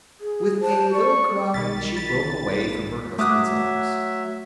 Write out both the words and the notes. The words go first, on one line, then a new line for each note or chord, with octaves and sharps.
With a little cry she broke away from her husband's arms.
G#4
C5 A5
D5 C#6
B1 D#3 B5 A6
B5 A6
F#3 A3 E5 D6 D#6 F#6